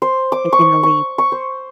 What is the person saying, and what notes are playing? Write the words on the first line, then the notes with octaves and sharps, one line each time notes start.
taking the leap.
C5
D6
C#6
C#6
C#6
C5